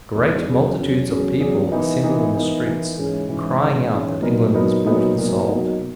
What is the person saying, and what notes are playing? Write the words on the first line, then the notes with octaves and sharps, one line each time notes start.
Great multitudes of people assembled in the streets crying out that England was bought and sold.
E2 B2 G#3 B3 D#4
E2 C#3 F#3 C#4 G#4
E2 C#3 F#3 C#4 G#4
E2 C#3 F#3 C#4 G#4
E2 C#3 F#3 C#4 G#4
E3 B3 D#4 A#4
E3 B3 D#4 A#4
E3 B3 D#4 A#4
E3 B3 D#4 A#4
G#2 E3 G#3 C#4
G#2 E3 G#3 C#4
G#2 E3 G#3 C#4
G#2 E3 G#3 C#4
A#2 F#3 B3 D#4 A#4
A#2 F#3 B3 D#4 A#4
A#2 F#3 B3 D#4 A#4
A#2 F#3 B3 D#4 A#4
B2 F#3 A#3 D#4
B2